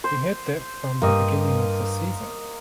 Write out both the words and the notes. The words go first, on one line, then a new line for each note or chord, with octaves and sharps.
We had that from the beginning of the season.
C5
G2 A#3 D#5